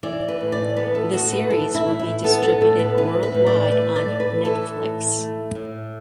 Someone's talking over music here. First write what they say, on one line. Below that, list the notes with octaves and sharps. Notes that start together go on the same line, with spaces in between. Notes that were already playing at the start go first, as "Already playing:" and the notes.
The series will be distributed worldwide on Netflix.
E3 D5
B4
A2
D5
B3 B4
A4
A2 F#4
B4
E3 A4
E4
A2
E4
B3 A4
A4
A2 A4
B4
E3 B4
B4
A2
D5
A3 B4
D5
A2
B4
E3 A4
A2
A3
A2